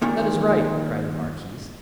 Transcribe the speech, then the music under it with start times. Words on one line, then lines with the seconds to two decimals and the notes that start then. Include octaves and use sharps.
"That is right," cried the marquise.
0.02 D#2 A#2 D#3